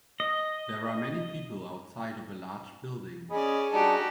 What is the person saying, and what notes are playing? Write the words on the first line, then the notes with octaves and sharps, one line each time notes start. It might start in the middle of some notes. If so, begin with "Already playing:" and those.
There are many people outside of a large building.
D#5
C#4 G#4 D5 D#5 G#5 B5 D#6
G3 D4 D#4 F#4 G4 A4